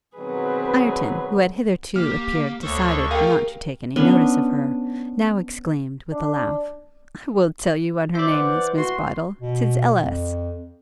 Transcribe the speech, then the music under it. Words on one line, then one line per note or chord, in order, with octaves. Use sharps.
Ireton, who had hitherto appeared decided not to take any notice of her, now exclaimed, with a laugh, 'I will tell you what her name is, Miss Bydel; 'tis L.S.'
B2 D#3 F#3 C4 G#4 B4
A#3 G4 F6
D2 A4 C5 C#5 C#6
G4 G#4 A#4 F5 G5
B3 C#4 D4
D4
C5 D5 E5
E3 F#5
F#4 C6
B2
F2